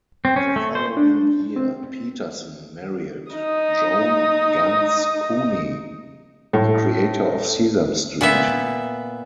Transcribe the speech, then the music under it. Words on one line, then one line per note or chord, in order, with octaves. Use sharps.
The following year, Peterson married Joan Ganz Cooney, a creator of Sesame Street.
C4
C#4
A3
C5
D4
C4
D#4 D#6
A2
A#2 B3 E5